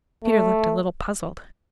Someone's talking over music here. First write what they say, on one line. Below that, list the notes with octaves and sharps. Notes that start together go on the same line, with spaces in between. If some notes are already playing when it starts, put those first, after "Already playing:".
Peter looked a little puzzled.
A3